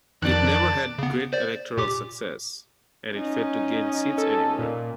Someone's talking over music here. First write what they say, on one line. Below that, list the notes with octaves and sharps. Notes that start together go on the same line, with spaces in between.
It never had great electoral success, and it failed to gain seats anywhere.
F2 D#3 D5 A5 F#6
C#3 B3
C5 D5
A#2 G4 D6
C#4 D#4
A4
A#2